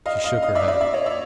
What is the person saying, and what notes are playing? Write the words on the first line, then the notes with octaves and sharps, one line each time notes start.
She shook her head.
D#5 F5
D#5 F5
D#5 F5
D5 E5
D5 E5
D5 E5
C#5 D#5
D5 E5